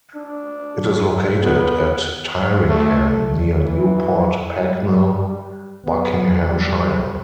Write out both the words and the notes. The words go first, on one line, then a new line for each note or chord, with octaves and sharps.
It is located at Tyringham near Newport Pagnell, Buckinghamshire.
D4
B3
A3
E3
G3
B3
G3